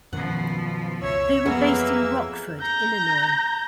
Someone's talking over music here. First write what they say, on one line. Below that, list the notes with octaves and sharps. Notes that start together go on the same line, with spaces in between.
They were based in Rockford, Illinois.
F#2 B2 D#3 F3 C#4 F#5
C#2 C#5 E5
F2 E3 F#3 A#3 B3 G#4
A#5 G6